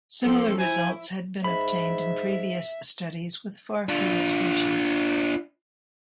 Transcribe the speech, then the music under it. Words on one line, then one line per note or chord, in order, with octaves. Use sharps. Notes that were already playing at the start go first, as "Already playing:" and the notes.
Similar results had been obtained in previous studies with far fewer species.
F3 C4 A4
E4 C5 G#5
G#2 E5 B5
D4 F4